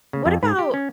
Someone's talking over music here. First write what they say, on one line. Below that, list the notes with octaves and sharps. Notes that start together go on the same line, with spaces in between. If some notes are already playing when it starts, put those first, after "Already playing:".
what about
C#3
F2
G#2
G4
C#4